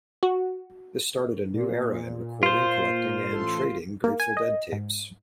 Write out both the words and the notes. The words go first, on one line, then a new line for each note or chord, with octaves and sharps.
This started a new era in recording, collecting, and trading Grateful Dead tapes.
F#4
A#2
F4 C5
A1 A4 C6
A#3
G#5
D#5
G#2